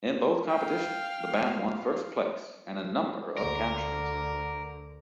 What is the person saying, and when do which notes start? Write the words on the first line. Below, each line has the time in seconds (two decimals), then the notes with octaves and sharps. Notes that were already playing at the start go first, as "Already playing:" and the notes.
In both competitions, the band won first place and a number of captions.
0.48 F5 G5
3.37 D2 D3 A#4